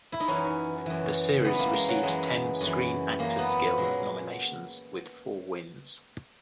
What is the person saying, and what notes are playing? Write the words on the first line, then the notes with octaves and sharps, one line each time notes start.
The series received ten Screen Actors Guild nominations with four wins.
E4
D#4
F#2 E3 C#4
F#2 E3
F#2 E3 B3
A#3
G#3
F#3
F#2 E3 G#3
F#2 E3
F#2 E3 A#3
B3
A#2 F#3 G#3